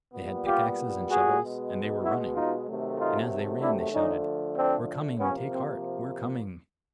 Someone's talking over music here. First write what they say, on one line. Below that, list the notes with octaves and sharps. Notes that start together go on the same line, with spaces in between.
They had pickaxes and shovels, and they were running. And as they ran they shouted, "We're coming; take heart, we're coming!"
A#2 G3 B3
F4 G4
F#4 G#4
B2 G#3 B3
E4 F#4
D#4 F4
C3 D#3 F#3 A3
D#4 F4
D4 E4
D3 F3 A3 C#4 D#4
C4 D4
C3 F3 A#3 B3 C#4
C4